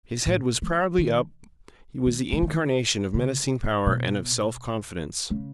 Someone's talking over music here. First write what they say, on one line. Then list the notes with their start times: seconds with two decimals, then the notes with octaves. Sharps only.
His head was proudly up; he was the incarnation of menacing power and of self-confidence.
0.27 A2
0.62 E3
0.98 D#3
2.06 D#3
2.33 C#3
2.43 D#3
3.14 C#3
3.87 B2
5.30 C#3